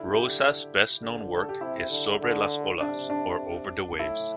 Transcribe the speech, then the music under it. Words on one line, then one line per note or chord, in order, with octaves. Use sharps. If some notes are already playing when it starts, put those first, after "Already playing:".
Rosas's best known work is "Sobre las Olas" or "Over the Waves".
Already playing: D3 E4
G4
D3
A4
G4
C3 E4
D3
D3
C3 D4
D4
A2 E4